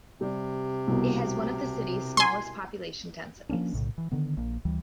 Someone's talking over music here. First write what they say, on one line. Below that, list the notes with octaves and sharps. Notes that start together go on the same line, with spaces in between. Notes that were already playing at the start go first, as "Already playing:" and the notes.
It has one of the city's smallest population densities.
C3 G3
C2 B2
G#5 C6
F3 A#3 C#4 D4
B1 A2 C#3
E3
D3 D#3 B3
A#1 A#3
D2 E3 G3